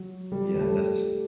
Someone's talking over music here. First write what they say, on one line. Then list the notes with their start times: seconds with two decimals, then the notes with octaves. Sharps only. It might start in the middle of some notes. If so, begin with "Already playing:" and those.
Yeah, that's
Already playing: F#3
0.32 G3
0.54 G3
0.60 A3